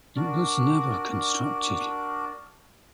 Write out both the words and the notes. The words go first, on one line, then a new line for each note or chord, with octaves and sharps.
It was never constructed.
D4 F#4 A#4 D5